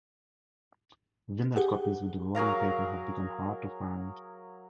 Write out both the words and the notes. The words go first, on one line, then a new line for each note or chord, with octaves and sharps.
Vinyl copies with the rolling paper have become hard to find.
G4 G#4 F#5
F#3 G#4 A#4 F5